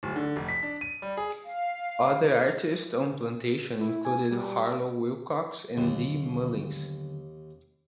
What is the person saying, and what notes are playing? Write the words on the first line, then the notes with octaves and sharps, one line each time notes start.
Other artists on Plantation included Harlow Wilcox and Dee Mullins.
D1
D3
F1
B6
D4
D#7
G3
G#4
F5
E4
G#5
G3
D#2 D3 F#3 B3